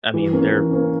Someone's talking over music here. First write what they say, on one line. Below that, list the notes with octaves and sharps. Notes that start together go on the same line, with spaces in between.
I mean, they're
E3
A#3 C#4
E3
A#3 C#4